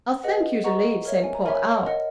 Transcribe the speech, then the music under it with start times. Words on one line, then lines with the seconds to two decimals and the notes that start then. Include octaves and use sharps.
"I'll thank you to leave Saint Paul out."
0.23 G#4 B4 D#5 F#5
0.64 G#4 B4 D#5 F#5 A#5 C#6
1.05 A#4 C#5 E5
1.24 G#5
1.35 A#5
1.45 A#4 C#5 E5 G#5 B5
1.86 A#4 D#5 F#5